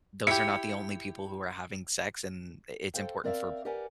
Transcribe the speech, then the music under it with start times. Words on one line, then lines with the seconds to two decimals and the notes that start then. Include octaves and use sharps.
those are not the only people who are having sex, and i it's important for
0.27 E4 G4 C#7
2.94 A4 C5 F5 G5
3.24 C4 A#4 D5 E5 F5
3.65 G4 A#4 B4 D5 F#5 G#5